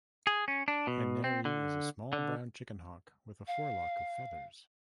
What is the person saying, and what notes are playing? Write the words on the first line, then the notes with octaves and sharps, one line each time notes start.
Henery is a small, brown chickenhawk with a forelock of feathers.
G#4
C#4
D4
B2
C4
D3
D3
F5